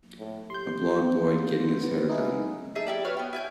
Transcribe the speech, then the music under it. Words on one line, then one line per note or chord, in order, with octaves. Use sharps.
A blond boy getting his hair done.
A2
G4 C6 G6
A#3
B3
D#4 E4 G#4
D#4 G#4 A4 E5
E4 G4 D5
F#4 B4 C#5 F6
B3 G5
E4 G#5 G6